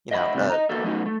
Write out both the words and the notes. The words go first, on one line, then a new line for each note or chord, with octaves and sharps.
you know, a
D#5 E5 F#5 B5
A2 C3 G3
D#5 A#5
A#3 B3 F#4 A4 E5
F#3 A3 B3 D#4 F#4
A3